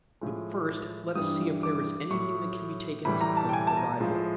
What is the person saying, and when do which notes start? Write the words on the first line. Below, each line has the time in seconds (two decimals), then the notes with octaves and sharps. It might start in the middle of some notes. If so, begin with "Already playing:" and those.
But first let us see if there is anything that can be taken as a point of arrival.
0.21 A2 F3 G#3
1.15 G2 E3 G3 D#6
1.63 D6
2.11 A2 F#3 C#6
3.05 A2 E3 G3 B5
3.21 A#5
3.37 A5
3.49 G5
3.53 G#5
3.67 A5
3.77 A#5
4.00 A2 F3 G#3